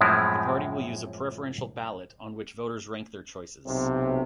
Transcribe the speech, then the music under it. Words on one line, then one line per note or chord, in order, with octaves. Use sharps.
The party will use a preferential ballot on which voters rank their choices.
F#2 A2 F3 G#3 C4 E4
B1 C3